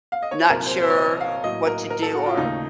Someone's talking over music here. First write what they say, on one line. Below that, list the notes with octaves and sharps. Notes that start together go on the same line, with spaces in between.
not sure what to do, or
F5
D#5
C#5
C5
C2 A#2 F#3 A#4
C5
C5
C#5
D#5
F5
A2 F#3 A#3 D#5
A#4
A#4
A4
F#4
F4
D#2 C#3 A3 D#4